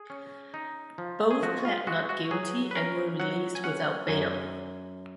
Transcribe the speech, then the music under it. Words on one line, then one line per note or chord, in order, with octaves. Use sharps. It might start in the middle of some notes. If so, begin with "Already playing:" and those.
Both pled not guilty and were released without bail.
Already playing: G#4
C#4
D#4
F3
G#4
F3 F#4
F4
G#3 F#4
F#4
F#3 G#4
B4
C#4 A#4
F#3 F#5
G#5
C#4 F#5
F#2 G#5